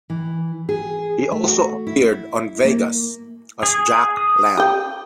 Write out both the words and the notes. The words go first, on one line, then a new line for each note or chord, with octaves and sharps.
He also appeared on "Vegas" as Jack Lamb.
E3
G#4
A3
F#4
E4
A#3
G#4
D#6
G4 G5